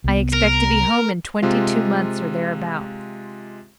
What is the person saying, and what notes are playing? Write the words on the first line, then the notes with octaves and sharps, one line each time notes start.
I expect to be home in twenty-two months or thereabouts.
C2 B3
A#4
C3 G#3 F4